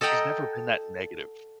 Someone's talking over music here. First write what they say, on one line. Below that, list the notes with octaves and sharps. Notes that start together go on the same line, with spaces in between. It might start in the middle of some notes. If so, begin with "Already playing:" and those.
She's never been that negative
A4 D#5 F#5 G5 A#5